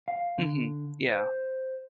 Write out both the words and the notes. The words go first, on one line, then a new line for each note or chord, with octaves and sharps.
Mhm. Yeah.
F5
D3
C5